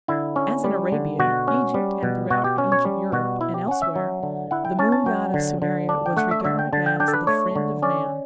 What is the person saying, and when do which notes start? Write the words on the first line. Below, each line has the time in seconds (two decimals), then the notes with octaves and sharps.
As in Arabia, Egypt, and throughout ancient Europe and elsewhere, the moon god of Sumeria was regarded as the "friend of man".
0.08 D3 E4
0.36 C#4
0.64 G3
0.92 D3
1.19 B2 F#4
1.48 C#4
1.74 G3
2.03 B2
2.30 B2 F#4
2.44 G4
2.58 C#4
2.72 C#5
2.85 G3
3.12 B2 F#4
3.41 E4
3.54 G4
3.68 C#4 F#5
3.82 E5
3.96 F#3
4.23 D3
4.51 E4 F#5
4.65 G5
4.79 C#4 A5
4.92 A5
5.06 F#3 G5
5.34 D3
5.62 D3
5.89 D4
6.06 G5
6.17 A3 F#5
6.31 E5
6.45 D3 E5
6.59 G5
6.73 D3 A5
6.86 G5
7.00 D4 G5
7.08 A4
7.13 B4
7.27 A3 C#5
7.56 D3
7.82 C#4 D5